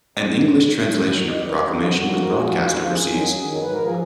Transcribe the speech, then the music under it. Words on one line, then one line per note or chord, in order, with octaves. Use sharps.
An English translation of the proclamation was broadcast overseas.
F2
D#3 F#3
F2
D#3 F#3
F2
D#3 F#3
F2
D#5
D#3 F#3 D5
B4
F2 A#4
F#4
D3 F3 F4
D#4
F2 F#4
D3 F3
F2 A#4
G#4
F3
F#4
F2 F4
D#4
F3 F4
F#2 G#4
D#3 F#3
F#2
D#3 F#3
G#2 B4
A#4
F3
G#4